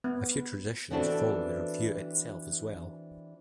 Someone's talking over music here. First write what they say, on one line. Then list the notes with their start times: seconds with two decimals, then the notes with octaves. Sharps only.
A few traditions follow the revue itself as well.
0.04 B3
0.91 E3 B3 C4 D4 F#4 A4